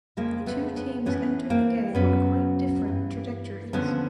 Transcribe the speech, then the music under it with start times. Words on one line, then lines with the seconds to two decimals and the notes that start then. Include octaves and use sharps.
The two teams entered the game on quite different trajectories.
0.17 F2 C#3 F3 G#3 A#3
0.46 A3 B3
0.76 B3 C#4
1.06 A2 E3 B3 C#4
1.50 A#3 C4
1.95 F#2 C#3 F#3 B3 C#4
2.84 G2 E3
3.73 D#2 D3 F3 B3 C#4